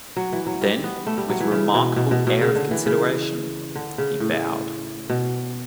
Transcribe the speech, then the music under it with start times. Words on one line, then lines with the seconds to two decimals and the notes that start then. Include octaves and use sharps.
Then, with a remarkable air of consideration, he bowed.
0.17 F#3
0.33 E3
0.47 F#3
0.62 G3
0.84 B3
1.06 A3
1.18 G3
1.30 F#3
1.40 E3
1.52 C#3
1.75 B2
1.96 B2
2.11 B2
2.27 B2
2.41 C#3
2.56 D3
2.71 E3
2.86 C#3
3.75 D3
3.98 C#3
4.20 A2
5.10 B2